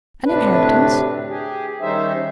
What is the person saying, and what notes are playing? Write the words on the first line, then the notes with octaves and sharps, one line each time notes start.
"An inheritance?"
D2 A2 C3 D4 B4
G4 G#4
D#3 G3 C#4 D#4 C5 E5